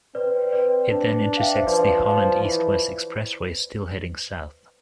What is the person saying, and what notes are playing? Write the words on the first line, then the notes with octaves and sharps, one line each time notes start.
It then intersects the Holland East-West Expressway, still heading south.
C4 B4 D5
B4 D5
D4
F5
E5 G5
C5 E5
F3 B4 D5
F3 C5
E3